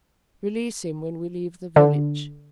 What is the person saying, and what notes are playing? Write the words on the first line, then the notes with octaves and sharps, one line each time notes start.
"Release him when we leave the village."
D3